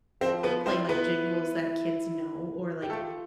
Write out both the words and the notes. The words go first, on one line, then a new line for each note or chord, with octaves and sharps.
play, like, jingles that kids know, or, like,
F3 C4 C5
B3 B4
C4 E4 C5
B3 B4
G4
A3 F4 A4